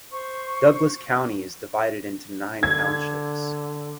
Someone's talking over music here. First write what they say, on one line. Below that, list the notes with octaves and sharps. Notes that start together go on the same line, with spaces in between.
Douglas County is divided into nine townships.
C5 C#6
D3 G#6